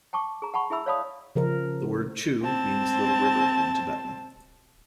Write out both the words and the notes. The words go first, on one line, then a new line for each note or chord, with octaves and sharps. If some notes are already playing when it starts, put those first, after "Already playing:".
The word "chu" means "little river" in Tibetan.
G5 A5 C#6 D6
G#4 A#5
F#5 A5 B5 C#6
E4 G#4 E5 B5 E6
C#5 D5 F5 A5 B5 D#6
C#3 F3 A#4
C4 A5